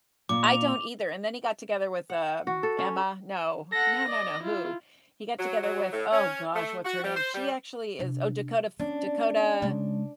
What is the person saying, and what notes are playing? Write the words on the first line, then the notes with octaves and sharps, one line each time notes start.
I don't either, and then he got together with, um, Emma. No, no, no, no. Who? He got together with, oh gosh, what's her name? She actually is oh, Dakota F Dakota,
A#2 D6
F7
F#5
F#4
A4
C#4
A4 F#5 A#6
D5 D#5
E4 F4
F#3
F#3
A2
C#4
A3
F#4
G3
C5
G3
C3 D4
B3 C#4 D4
C#3 G#3